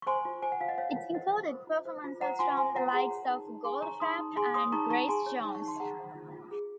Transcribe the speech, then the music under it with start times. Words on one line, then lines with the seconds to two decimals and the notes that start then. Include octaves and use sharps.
It included performances from the likes of Goldfrapp and Grace Jones.
0.02 C#6
0.07 C5 G#5 C6
0.25 F4
0.42 C5 G#5
0.52 F#5
0.61 F4 F5
0.68 D#5 F#5
0.78 C5 C#5 F5
0.96 F4
1.14 C5 D#5 F#5
1.32 F4
1.51 C5
1.67 F4
1.85 C5
2.04 F4
2.21 C5 F#5 A#5
2.39 F4 G#5 C6
2.57 C5 G#5 C6
2.75 F4 F#5 A#5
2.88 C6
2.93 G#4 F#5 A#5
3.11 C#5
3.29 D#4
3.48 D#4
3.64 G#4 G#5 C6
3.82 C#5 A#5 C#6
4.00 D#4 C6 D#6
4.19 D#4
4.36 G#4 G#5 C6
4.54 C#5 C6 D#6
4.72 D#4 A#5 C#6
4.90 D#4 A#5 C#6
5.08 G#4 G#5 C6
5.26 C#5
5.45 D#4
5.55 C#6
5.62 D#4
5.68 C6
5.80 G#4 F#5 A#5
5.98 C5
6.15 F4
6.33 F4
6.51 G#4